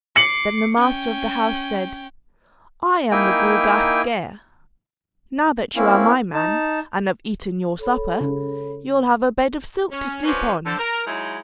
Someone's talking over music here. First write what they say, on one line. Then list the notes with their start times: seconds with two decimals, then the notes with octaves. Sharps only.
Then the master of the house said: "I am the Gruagach Gaire; now that you are my man and have eaten your supper, you'll have a bed of silk to sleep on."
0.16 D6 C7 C#7 F#7
0.76 C#4 G5
3.11 A#3 D#4 E4 G5 G#5
5.76 A#3 C4 C#4 E4
6.34 D#4 A5
7.79 A4 C#5 B5
8.20 C#3
9.91 C#4
10.26 F3 C#4 D4 F#4 B4 C5
10.66 D3 A4 C5
10.79 A#4
11.07 F#3 G#3 D#4 E4